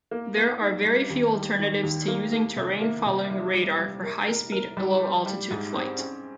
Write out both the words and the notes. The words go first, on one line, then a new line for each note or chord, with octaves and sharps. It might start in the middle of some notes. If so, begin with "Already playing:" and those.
There are very few alternatives to using terrain-following radar for high-speed, low altitude flight.
A#3
A#3
D#4
G3
D#2
G3
D#3
D#2
A#3
A#3
C3
A#3
C3
G3
G3
G3
A#4
A#4
A#4
G3
G4
G3
G#2
C4
C#4